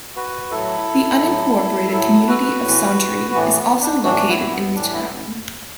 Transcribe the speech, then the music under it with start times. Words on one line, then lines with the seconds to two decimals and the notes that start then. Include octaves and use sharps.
The unincorporated community of Sauntry is also located in the town.
0.16 F#4 B4
0.51 A2 F#3 E4 A4
1.22 A2 F#3
1.92 A2 F#3 E4 A4
2.28 F#4 B4
2.63 A2 E3
3.34 A2 E3 B3
3.57 B3
3.81 D4
4.04 A2 E3 D4 F#4
4.28 B3 E4
4.52 B3
4.75 A2 E3 D4
4.92 B3 E4